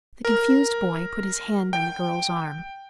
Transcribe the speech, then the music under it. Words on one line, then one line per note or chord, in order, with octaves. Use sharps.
The confused boy put his hand on the girl's arm.
A#4
G5